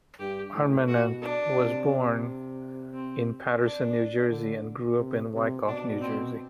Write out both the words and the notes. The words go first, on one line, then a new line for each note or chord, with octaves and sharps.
Armenante was born in Paterson, New Jersey, and grew up in Wyckoff, New Jersey.
G2 G4
A2
B2 F#4
D4
C3
C4
D4
D3
C3
C3
B2 D4
C4